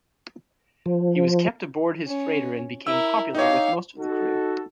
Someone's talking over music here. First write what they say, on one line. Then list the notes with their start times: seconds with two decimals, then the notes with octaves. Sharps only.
He was kept aboard his freighter and became popular with most of the crew.
0.86 F3
2.07 C#4
2.87 E4 A#4 E6
3.35 D#4 G4 C#5 F5
3.99 D#4 F#4 A4